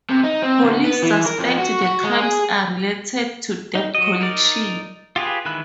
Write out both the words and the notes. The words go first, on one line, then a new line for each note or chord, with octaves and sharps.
Police suspect the crimes are related to debt collection.
C3
D#4
C4
D2
B3
E3
A#4
F2
F#4
F#4
G#3
G#4
D#4
F#3 D#5
D#4 A#4 D5
F4 G4 G#4 B4
D#3 E3 G#3 B5 F#6